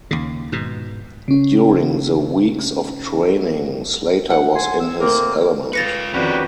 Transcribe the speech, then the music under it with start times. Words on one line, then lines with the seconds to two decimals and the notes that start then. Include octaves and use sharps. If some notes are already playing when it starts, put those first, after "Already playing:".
During the weeks of training, Slater was in his element.
0.11 D#2 C#3
0.52 G#2 B2
1.28 C#3 C#4
4.30 F#5
4.55 G#5 C6
4.80 E6
5.00 D2 A#3 C4 A#4
5.73 F4 B4 A6 A#6 C#7
6.13 F2 D#3 C#4 F#4 G4 B4 D5